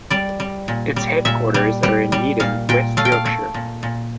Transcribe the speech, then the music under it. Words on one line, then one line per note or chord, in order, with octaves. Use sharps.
Its headquarters are in Yeadon, West Yorkshire.
G3 D5
G3
A#2
G3
A#2 E5
G3
G3
G3
A#2 F5
A#2 G5
A3 F5
G5
F5
A3
A#2
A#2